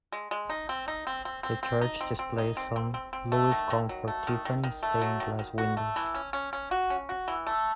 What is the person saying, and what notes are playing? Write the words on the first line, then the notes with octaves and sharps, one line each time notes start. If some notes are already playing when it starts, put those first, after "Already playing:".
The church displays some Louis Comfort Tiffany stained glass windows.
G#3
G#3
D#4
C4
D#4
C4
C4
C4
C4
D#4
C4
C4
D#4
C4
C4
C4
C4
A3
D#3
D#3
F#3
A3
D#3
D#3
D#3
A3
F#3
D#3
D#3
F#4
A3
E3
C#4
C#4
C#4
F#4
C#4
F#4
E3
A3